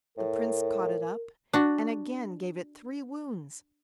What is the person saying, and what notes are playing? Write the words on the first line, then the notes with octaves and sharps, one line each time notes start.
The Prince caught it up, and again gave it three wounds.
A2 A#4
D4 F#4